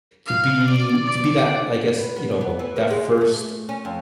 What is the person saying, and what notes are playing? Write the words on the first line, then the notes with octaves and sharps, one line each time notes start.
to be to be that, I guess, you know, that first
F5
D5
D5
B3
B3
B3
E3
A#3
G#3
A3
C#4
F2